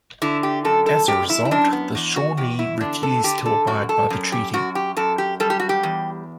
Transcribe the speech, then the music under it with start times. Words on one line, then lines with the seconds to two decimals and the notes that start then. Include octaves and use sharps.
As a result, the Shawnee refused to abide by the treaty.
0.22 D3 E4
0.43 G4
0.65 F#2 A4
0.86 A4
1.08 F#2 G4
1.30 E4
1.45 E4
1.51 F#2 D4
1.73 B3
1.95 E2
2.16 F#4
2.37 E2 G4
2.59 E4
2.81 D3 D4
3.03 A4
3.24 D3 G4
3.46 A4
3.67 F#2 F#4
3.89 A4
4.10 F#2
4.32 G4
4.54 F#2 F#4
4.75 G4
4.97 F#2 A4
5.18 G4
5.40 G3 A4
5.50 G4
5.60 F#4
5.69 G4
5.83 E2